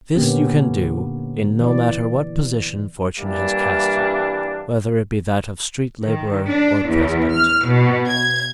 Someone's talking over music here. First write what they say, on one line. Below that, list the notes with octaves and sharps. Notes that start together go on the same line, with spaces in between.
This you can do in no matter what position fortune has cast you, whether it be that of street laborer or president.
A#2 D3 A#3 B3 C#4 G4
E3 D5
G2 E3 G3 A#3 D4 E4
D#3
D4
E2
F6
B2
G#6